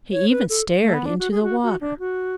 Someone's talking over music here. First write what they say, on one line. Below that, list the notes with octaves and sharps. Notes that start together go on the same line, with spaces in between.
He even stared into the water.
C#5
B4
A4
A3
B3
D4
F#4
G#4
F#4
F#4
D4
F#4